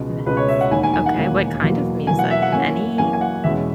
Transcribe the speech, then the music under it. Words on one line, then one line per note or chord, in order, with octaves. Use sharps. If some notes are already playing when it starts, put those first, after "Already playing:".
Nice. Okay, what kind of music? Any?
Already playing: C#2 B2 G#3
C#2 B2 G#3 B4
C#5
E5
F#5
E1 D#2 D#3 A#3 G#5
G#5
G#5
F#5
E1 D#2 D#3 A#3
E2 B2 F#3 A#3
E2 B2 F#3 A#3 G#5
F#5
E5
F#5
F#2 E3 A#3 C#4 G#5
F#2 E3 A#3 C#4 G#5
G#5
F#5
E1 E2 B2 G#3 C#4 E5